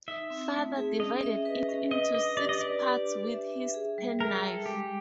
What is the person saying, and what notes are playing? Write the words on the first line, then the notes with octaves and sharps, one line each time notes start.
Father divided it into six parts with his penknife.
D#4 E5
C4
A3
G#4
C#4 D#5
E5
B4
C#4
B4 D#5
D4 D#5
G4 D5
D#5
B4 D5
G4
D4
E5
E5
G#4
G3
G#4 A#4
G3 A4
G#3 G4